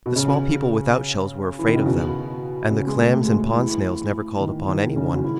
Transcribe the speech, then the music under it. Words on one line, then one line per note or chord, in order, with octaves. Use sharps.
The small people without shells were afraid of them, and the Clams and Pond Snails never called upon any one.
B2
C#3
E3
D#3
C#3
B2
C#3
G#3
A3
G#3
E3
D#3
D#3
C#3
F#3
E3